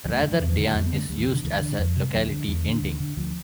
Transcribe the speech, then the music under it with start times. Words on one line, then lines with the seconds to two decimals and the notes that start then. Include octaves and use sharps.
Rather, "dian" is used as a locality ending.
0.05 D2 F3
0.14 A3
0.23 D3
0.32 F3
0.40 E2 E3
0.51 F3
0.57 D3
0.63 G3
0.74 F2 G3
0.86 B3
0.92 D3
0.98 A3
1.09 D2 G3
1.20 E3
1.27 C3
1.32 D3
1.44 D2 E3
1.61 D3
1.79 F2
1.96 C3
2.02 G3
2.13 D2 F3
2.31 D3
2.48 E2 E3
2.65 D3
2.82 D2
3.00 D3
3.17 D2 F3